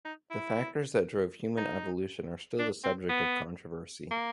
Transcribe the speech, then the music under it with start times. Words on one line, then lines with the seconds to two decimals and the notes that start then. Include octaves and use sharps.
The factors that drove human evolution are still the subject of controversy.
0.05 D#4
0.31 E4
1.58 D#4
2.59 D4
2.84 C4
3.09 B3
4.11 A#3